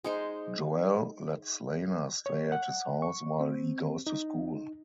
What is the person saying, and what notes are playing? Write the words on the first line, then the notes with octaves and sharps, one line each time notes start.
Joel lets Lana stay at his house while he goes to school.
G#3 D#4 C5
C#5
F#5
C#6
C4
D#4